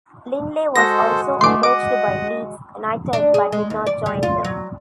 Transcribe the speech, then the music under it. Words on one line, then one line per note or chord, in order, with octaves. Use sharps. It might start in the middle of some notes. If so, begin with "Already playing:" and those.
Lindley was also approached by Leeds United but did not join them.
G#3 F#4 A4 C5 A#6
D3 E3 A3 C6 D6
D#5 F#5 D6
D4
G#4
G#3
D#2
D5
G3
F4
F#3